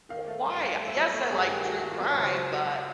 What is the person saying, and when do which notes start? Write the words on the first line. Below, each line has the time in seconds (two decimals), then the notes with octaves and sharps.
"W why? Yes, I like true crime, but
0.09 D#3 F5
0.28 A3
0.45 G2
0.61 G2 F5
0.80 A3
0.87 E5
0.97 F#3
1.13 A3 C#5
1.31 G2 G#4
1.48 D#3 G4
1.65 A3 F#4
1.78 F#4
1.83 D#3
1.92 F4
2.00 G2
2.10 C#5
2.17 C#2 C5
2.35 F#3
2.52 F#3